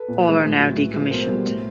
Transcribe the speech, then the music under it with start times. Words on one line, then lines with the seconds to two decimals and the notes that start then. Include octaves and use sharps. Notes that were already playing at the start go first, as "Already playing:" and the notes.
All are now decommissioned.
Already playing: A4 B4
0.08 A#2
0.25 F3 G#3
0.42 A2
0.59 F#3
0.77 A2
0.94 F3 G#3
1.11 B2 A#4 C5
1.28 G3
1.45 A2